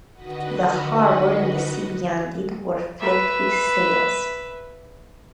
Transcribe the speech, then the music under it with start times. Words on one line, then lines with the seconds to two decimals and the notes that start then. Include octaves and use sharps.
The harbour and the sea beyond it were flecked with sails.
0.13 D3 D#3 F#4 B4 D#5 F#5
3.00 B4 E5